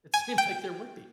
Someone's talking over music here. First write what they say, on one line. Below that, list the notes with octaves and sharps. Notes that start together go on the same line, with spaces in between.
It seems like there would be.
G#5
G5